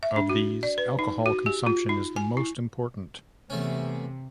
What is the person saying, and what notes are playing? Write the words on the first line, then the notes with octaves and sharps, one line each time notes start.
Of these, alcohol consumption is the most important.
E5
D4
F#4
D5
B4
D#4
F#4
G4
F4
D#4
G#5
E4
E2 C3 A3 C#4